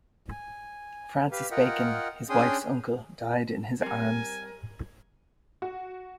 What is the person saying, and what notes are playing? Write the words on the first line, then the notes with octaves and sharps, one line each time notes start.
Francis Bacon, his wife's uncle, died in his arms.
G#5
G4 B4 F5
F4 A#4 D#5 F#5 G5
C#4 D4 G#4 G5 C6 D#6
G3 C4 A#4 G#5
F#4